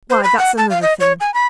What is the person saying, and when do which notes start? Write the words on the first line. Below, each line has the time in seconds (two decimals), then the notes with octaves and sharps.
'Why, that's another thing.
0.10 C5
0.24 B5
0.39 F#5
0.58 A5
0.70 F5
0.82 D#5
1.00 C#5
1.20 G#5
1.34 B5